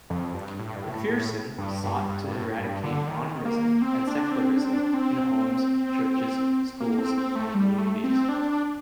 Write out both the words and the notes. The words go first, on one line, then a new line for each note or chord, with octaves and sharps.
McPherson sought to eradicate modernism and secularism in homes, churches, schools, and communities.
F2
G2
A2
G2
A2
A2
G2
G2
G2
A2
G2
D3
D#3
A#3
C4
D4
C4
D4
C4
D4
C4
A#3
C4
C4
A3
G3
A3
C4
D4